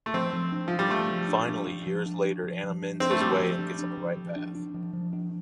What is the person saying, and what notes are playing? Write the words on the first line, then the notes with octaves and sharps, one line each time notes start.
Finally years later Anna mends his way and gets on the right path.
A3
F3 C4
F3
D4
F3 D4
G3
F3 A3
F3
D4
D4
F3
F3
D4
D4
F3
F3
D4
C4 D4
A3
F3 G3
F3
D4
D4
F3
F3
D4
D4
F3
F3
D4